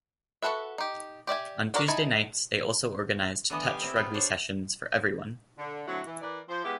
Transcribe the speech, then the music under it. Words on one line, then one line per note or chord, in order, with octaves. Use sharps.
On Tuesday nights they also organised touch rugby sessions for everyone.
F#4 G#4 A4 B4 E5
D#4 G4
G4 D5 E5 G#5
D4 F#4 A#4 D5 A5
D#4 E4 G#4 G#5 A5
D3 E3 B3 D#5
G4 F5 G#5
C4 E4
B3 F4
D4 C5 C#5
D3
D3 F#3 A3 C4 E4 F#4
E3
E3 A#4 B4 D5
F3 C5
G#3 B3 E4 G4